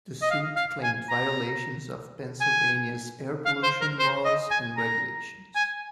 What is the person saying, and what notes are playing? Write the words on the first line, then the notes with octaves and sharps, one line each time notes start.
The suit claimed violations of Pennsylvania's air pollution laws and regulations.
D#5
F5
F5
G#5
A#5
G#5
F5
C5
A#4
C5
D#5
G#5
A#5
G#5